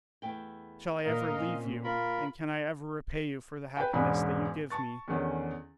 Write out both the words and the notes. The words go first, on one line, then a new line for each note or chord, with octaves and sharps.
Shall I ever leave you, and can I ever repay you for the happiness that you give me?
E2 A3 G5
A#2 D#4 A#4 D#5 F5
A#2 C4 C#4
F4 A#4 B5
B4 G5
E1 G#2 C#3 D4 G#5 B5
A5 C#6 A6
E2 D3 D#3 C#4